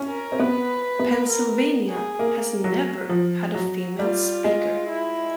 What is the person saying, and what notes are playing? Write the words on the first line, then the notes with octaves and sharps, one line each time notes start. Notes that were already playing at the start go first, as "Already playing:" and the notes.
Pennsylvania has never had a female speaker.
Already playing: C#4
A#4
C4
B3 B4
B3
A#4
G#4
A#3
F#3
F3
F#3
G3 F4
G#3
E4